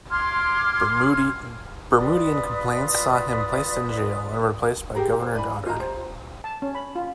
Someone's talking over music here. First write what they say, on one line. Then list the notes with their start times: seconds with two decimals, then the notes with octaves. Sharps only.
Bermudian complaints saw him placed in jail, and replaced by Governor Goddard.
0.11 C6 D6 F6 G#6
1.97 F4 B4 D5 D#6
4.95 G4 G#4 A#4 A#5
5.20 C5
5.34 E4 D5 G#5 B5
5.66 F4 D#5 A5 A#5
5.80 C5
6.44 A5
6.62 C#4
6.75 B5
6.96 F4